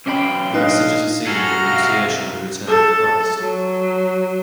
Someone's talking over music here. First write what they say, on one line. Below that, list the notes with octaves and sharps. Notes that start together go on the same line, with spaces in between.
The messages are seen as an annunciation of the return of Christ.
B1 C#4 D#5 G5 B5 D6 C7
D4 D#4 B4 C#5 D#5 F5
F#4 G#4 A4 A#5 F6
C2 F5 E6 A#6 C7
A4
F#3